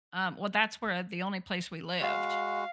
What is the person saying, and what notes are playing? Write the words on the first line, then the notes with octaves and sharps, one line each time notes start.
Um, well, that's where, uh, the only place we lived.
G#3 F#4 F5